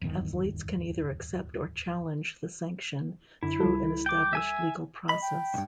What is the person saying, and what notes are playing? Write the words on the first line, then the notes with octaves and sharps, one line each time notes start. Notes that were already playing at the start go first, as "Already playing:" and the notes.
Athletes can either accept or challenge the sanction through an established legal process.
D1 G1 E2 D#3
F#2 D3 E4
C#2 G3 A4
G5 D6
E5 G#5 E6
D#5 B5
G5
B1 G2